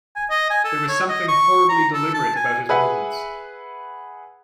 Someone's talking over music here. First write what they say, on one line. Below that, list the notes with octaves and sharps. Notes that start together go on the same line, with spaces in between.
There was something horribly deliberate about his movements.
G#5
D#5
G#5
A4
C#5
D#5
C#6
A#5
A4
A5
G#5
G#4 B4 E5 F#5